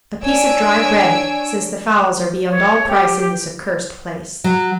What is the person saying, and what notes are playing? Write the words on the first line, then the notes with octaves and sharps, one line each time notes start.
"A piece of dry bread, since the fowls are beyond all price in this accursed place."
D4 C#5 G#5 E6 D7
C#5
G4
G4
F#3